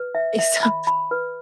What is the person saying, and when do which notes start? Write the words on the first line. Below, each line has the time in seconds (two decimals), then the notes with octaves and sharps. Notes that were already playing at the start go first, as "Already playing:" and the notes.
Eh, some
Already playing: B4
0.15 E5
0.39 E5
0.63 B5
0.87 B5
1.11 B4